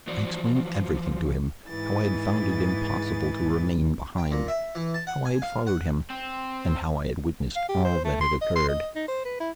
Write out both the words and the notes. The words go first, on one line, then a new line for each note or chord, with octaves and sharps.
I explained everything to him: how I had found it impossible to remain behind, how I had followed him, and how I had witnessed all that had occurred.
E3 F3 F#4 C5 D5
G#2 E3 G#4 A6
G5
A#2
E5
E3
A5
F#5
G#5
F5
F#5
C4
F5
G4
C5
A3
C6
D#5
C6
D#5
D#4
C5
B4
E4